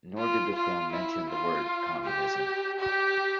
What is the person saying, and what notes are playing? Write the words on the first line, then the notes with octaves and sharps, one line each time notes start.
Nor did the film mention the word Communism.
F4
F4
E4
F4
G4
G4